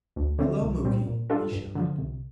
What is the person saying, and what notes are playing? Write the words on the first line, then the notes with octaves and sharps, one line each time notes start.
"Hello, Muky!" he shouted.
D2
D3 A3 C4
C2
A#2 G3 C4
A#2
G3 D4 F4 A4
G2
D3 F3
C2